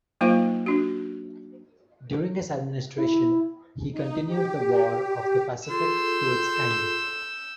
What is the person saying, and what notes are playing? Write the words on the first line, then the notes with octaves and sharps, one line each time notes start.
During his administration, he continued the War of the Pacific to its end.
F#3 A#3 D#4 F4 C5 F5
D4 F#4
E4
D#4
G4
F4 G#4 A4 C6 E6 G6